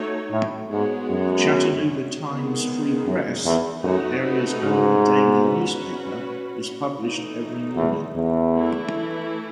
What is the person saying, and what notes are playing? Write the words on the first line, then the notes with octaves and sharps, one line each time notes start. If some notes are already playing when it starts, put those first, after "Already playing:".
The "Chattanooga Times Free Press", the area's only daily newspaper, is published every morning.
Already playing: A3 D#4 F#4 A4 C#5
A2
G#2 G#3 B3 F#4 C#5
F#2
D#3 G#3 B3 D#4 G#4
F#2
E2
F#2 A3 D#4 F#4 B4
G#2
C#4 F#4 B4
E3 A3 D#4
E2
E2
E3 A3 E4